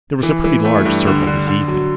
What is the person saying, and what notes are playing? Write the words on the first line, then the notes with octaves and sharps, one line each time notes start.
There was a pretty large circle this evening.
E3
E3
A3
G2
D3
D3
D3
F#3